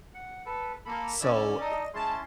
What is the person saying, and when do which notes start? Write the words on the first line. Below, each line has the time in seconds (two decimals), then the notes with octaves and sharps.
So, eh eh
0.14 F#5
0.46 A4 B4
0.85 A#3 A4 B5
1.20 D3 C#4 E4 D5 E6
1.60 D#4 A4 D5 D#5
1.94 G#3 C#4 E4 A5 C6